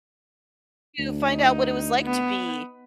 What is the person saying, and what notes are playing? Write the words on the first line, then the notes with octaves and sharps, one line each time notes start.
to find out what it was like to be
D2
D#4
B3